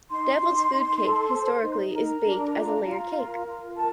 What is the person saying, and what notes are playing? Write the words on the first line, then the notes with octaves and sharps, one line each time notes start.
Devil's food cake historically is baked as a layer cake.
D#4 C6
D#4
D#4
A4
C5
D#4
A#4 A#5
D4
F4
F4
A#4
F4
A#4 A5